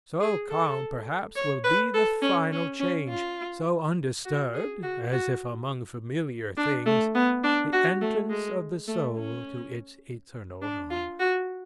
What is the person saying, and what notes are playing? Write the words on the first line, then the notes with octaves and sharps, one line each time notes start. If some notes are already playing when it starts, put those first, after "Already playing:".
So calm, perhaps, will be the final change--so undisturbed, as if among familiar things, the entrance of the soul to its eternal home.
G#4
A4
C#5
B4
A4
C#4
C#4
C#4
F4
F#4
G#4
F#4
F#4
D4
A3
B3
D4
F#4
A3
G#3
A3
C#4
D4
F4
F#4